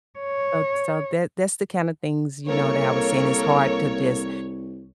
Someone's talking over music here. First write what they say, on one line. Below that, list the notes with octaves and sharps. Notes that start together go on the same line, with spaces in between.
So ts so that's the kind of things, you know, that I was saying. It's hard to just,
C#5
C2 A#3 A4 A#4 C#5 C#6